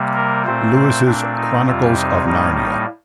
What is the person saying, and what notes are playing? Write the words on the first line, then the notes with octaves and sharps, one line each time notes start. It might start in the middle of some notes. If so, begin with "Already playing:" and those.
Lewis's "Chronicles of Narnia".
Already playing: C3 G3 A#3
A#4
A#2 A3 C4 C5
C5
A#2 A3 C4 D4
D#4
F2 C3 G3 C4 F4
D#4
A2 G3 A#3 D#4
D#4